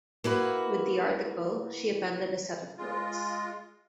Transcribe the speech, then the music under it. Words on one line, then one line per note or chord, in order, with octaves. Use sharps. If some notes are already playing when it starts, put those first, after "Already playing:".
With the article, she appended a set of notes.
A#3 E4 F#4 B4
G#3 F4